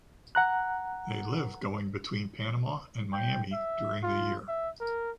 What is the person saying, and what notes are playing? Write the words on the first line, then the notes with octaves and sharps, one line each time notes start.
They live going between Panama and Miami during the year.
F#5 A#5 F#6
G5
E5
F4
E5
A#4